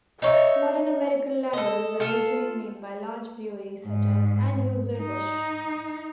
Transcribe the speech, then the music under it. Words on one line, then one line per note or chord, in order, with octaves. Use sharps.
Modern American lagers are usually made by large breweries such as Anheuser-Busch.
D#4 C#5 E5
A4 D#5
F4 A4
G#2
D#4